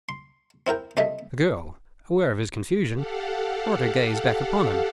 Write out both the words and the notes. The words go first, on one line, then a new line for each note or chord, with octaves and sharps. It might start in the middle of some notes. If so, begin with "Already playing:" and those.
The girl, aware of his confusion, brought her gaze back upon him.
C6
C4 E4 A#4 G5
C2 G3 A3 D#5 E5
G4 A4 F5 F#5